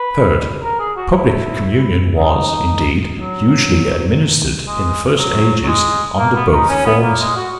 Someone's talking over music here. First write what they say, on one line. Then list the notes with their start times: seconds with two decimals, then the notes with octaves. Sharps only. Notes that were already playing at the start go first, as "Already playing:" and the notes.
Third--Public Communion was, indeed, usually administered in the first ages under both forms.
Already playing: B4
0.63 A#4
0.79 G#4
0.97 F#4
1.14 E4
2.15 D#4
3.16 F#3
4.67 G#3
5.18 F#3
5.64 F#3
5.68 G#3
6.18 A#3
6.35 B3
6.52 D#4
6.69 C#4
6.86 B3
7.02 A#3
7.20 G#3
7.36 F#4